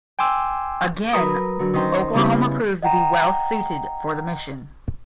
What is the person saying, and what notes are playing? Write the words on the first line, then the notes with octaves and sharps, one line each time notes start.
Again, Oklahoma proved to be well suited for the mission.
G5 G#5 C6 D6 E6
F#3 A#4 B4 A#5 B5 D#6
D3 F#3
D#3 C#4 C5 G5 A#5
C#3 G3 B3 C4 E4 G4
D#5 F#5 G5 A#5